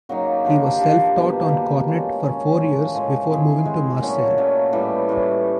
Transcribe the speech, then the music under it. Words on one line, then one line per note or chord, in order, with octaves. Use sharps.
He was self-taught on cornet for four years before moving to Marseille.
C#3 F#3 A#3 D#4
F3 A#3 D4 G4
F3 A#3 D4 G4
B2 G3 A#3
B2 G3 A#3
G#3 C#4 F4
G#3 C#4 F4
A2 F3 G#3
A2 F3 G#3
G#3 C4 E4 G#4
G#3 C4 E4 G#4
A#2 F#3 A3 C#4
A#2 F#3 A3 C#4
A2 E3 G3
A2 E3 G3